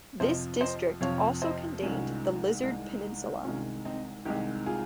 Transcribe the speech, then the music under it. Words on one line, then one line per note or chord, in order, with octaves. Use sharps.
The district also contained the Lizard Peninsula.
F2 C3 F3 C5 D#5
C5 D#5
F2 C3 F3 C#5 F5
C5 D#5
C2 C3 D#3 G#3 C#4 F4
C2 C3 D#3 G#3
C2 C3 D#3 G#3 C#4 F4
C4 D#4
C2 C3 D#3 G#3 D#4 G4
F4 G#4